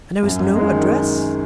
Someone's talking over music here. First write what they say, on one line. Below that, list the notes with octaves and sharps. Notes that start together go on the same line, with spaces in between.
And there was no address?
F#2
F#2
G#3
D#3